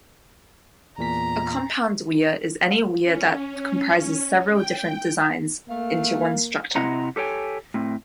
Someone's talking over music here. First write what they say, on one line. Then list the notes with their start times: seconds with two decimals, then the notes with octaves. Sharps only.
A compound weir is any weir that comprises several different designs into one structure.
0.98 E2 A#2 A#5 B6
3.03 C#4
4.54 G5
5.68 A3 A#3 F5
6.76 C3 C4 E4 D#5 F#5 A#5
7.16 G4 A4 C#5 G5 G#5
7.74 A2 C4